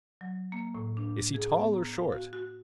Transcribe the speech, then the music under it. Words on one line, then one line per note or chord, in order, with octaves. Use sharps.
"Is he tall or short?"
F#3
A#3
A2
D4
G#4
B3
A#5
F5
F#4
F#4